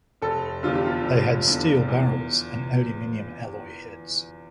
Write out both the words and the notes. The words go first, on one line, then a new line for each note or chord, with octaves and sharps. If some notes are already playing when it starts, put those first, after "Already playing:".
They had steel barrels and aluminium alloy heads.
F1 A4
E2 D3 F4
G4
F4
F1
E2 D3
E2